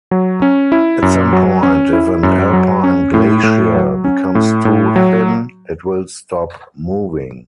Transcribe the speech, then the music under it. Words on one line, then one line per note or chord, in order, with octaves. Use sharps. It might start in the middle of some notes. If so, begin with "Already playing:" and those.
At some point, if an Alpine glacier becomes too thin it will stop moving.
F#3
C#4
E4
F#2
F#3
C#4
E4
F#2
F#3
C#4
A2
A2
F#3
C#4
A2
A2
F#3